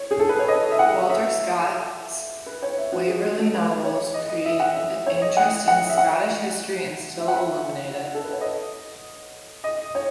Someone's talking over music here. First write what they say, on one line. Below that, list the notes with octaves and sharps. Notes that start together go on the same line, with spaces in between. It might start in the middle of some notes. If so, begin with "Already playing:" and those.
Walter Scott's Waverley novels created interest in Scottish history and still illuminate it.
Already playing: C#5
G#4
A4
B4
C#5
D#5
E5
F#5
E5
B4
C#5
E5
F#4
G#4
F#4
A4
B4
C#5
D#5
D#5
E5
F#5
E5
C#5
D#5
F#5
F#5
E5
F#5
E5
F#5
E5
A4
B4
C#5
D#5
D#5
C#5